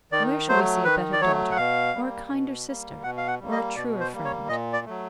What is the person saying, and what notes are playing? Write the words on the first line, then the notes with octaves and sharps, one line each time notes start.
Where shall we see a better daughter, or a kinder sister, or a truer friend?
D#3 D5
F#3 A3 C5
D#3 B4
D5
F#3 A3 C#5
F#5
B2 F5
G3 A#3
B2
G3 A#3
B2 F#5
F5
F#5
G3 A#3
D#5
B2 D5
C5
G3 A#3
C#5
A#2 D#5
D5
F#3 A3